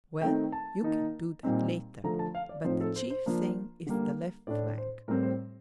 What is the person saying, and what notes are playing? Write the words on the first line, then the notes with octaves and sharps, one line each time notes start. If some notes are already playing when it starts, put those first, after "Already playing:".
"Well, you can do that later, but the chief thing is the left flank."
D#3 A3 C4 D#4 G5
A5
D#3 A#3 D#4
A#2 G3 C4 D#4
D3 F3 A3 A#5
A5
F5
D5
A2 F3 C4 D#4 C5
A4
C5
C5
F3 A#3 D4
D3 G3 A#3
A2 A3 D4 D5
C5
A2 G3 C4 A#4
C5